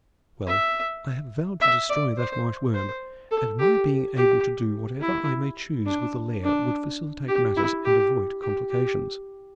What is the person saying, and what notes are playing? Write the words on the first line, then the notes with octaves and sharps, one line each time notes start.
"Well, I have vowed to destroy that White Worm, and my being able to do whatever I may choose with the Lair would facilitate matters and avoid complications."
E5
E5
D5
C5
C5
A4
G4
G4
E4
D4
D4
G4
E4
G4
G4
G4